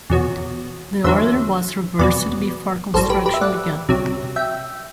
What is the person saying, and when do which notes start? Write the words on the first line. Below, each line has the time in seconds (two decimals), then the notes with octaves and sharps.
The order was reversed before construction began.
0.10 E2 B2 F#3
1.04 E2 D3 F#3 C5 E5
1.99 E2 B2 F#3 B4 D5
2.94 A1 G2 F#3 A4 C5
3.10 G4 B4
3.26 G4 B4
3.34 E5
3.41 D5 F#5
3.89 C2 C3 F#3
4.36 E5 G5